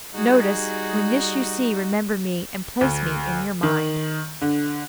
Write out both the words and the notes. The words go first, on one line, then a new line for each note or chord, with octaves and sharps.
Notice-when this you see, remember me, and place me in your mind.
G3 D#4 F#4 G#4
D2
D#3
D3